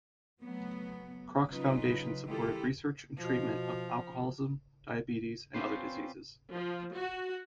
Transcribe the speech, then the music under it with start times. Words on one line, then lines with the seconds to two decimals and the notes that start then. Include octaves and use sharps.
Kroc's foundation supported research and treatment of alcoholism, diabetes, and other diseases.
0.42 F#3 A3 B3
1.49 C#3 F#3 D#4 F4 B4
2.26 D#3 G#3 E4 F4 G4 A4
3.18 B2 F3
5.54 C4 C#4 F4 G4 B4 C5
6.52 F3
6.94 F#4